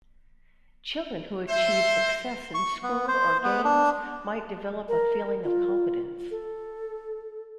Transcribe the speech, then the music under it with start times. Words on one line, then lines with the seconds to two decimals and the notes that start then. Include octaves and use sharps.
Children who achieve success in school or games might develop a feeling of competence.
1.49 A4 C5 E5
2.54 C#6
2.83 B3
3.08 C5
3.43 B3
3.65 D4
4.88 A#4
5.44 F4
6.31 A4